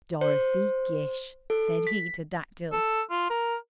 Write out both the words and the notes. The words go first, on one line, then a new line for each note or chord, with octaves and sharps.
DOROTHY GISH, said he to Dactyl.
C5
A4
B6
A4
F4
A#4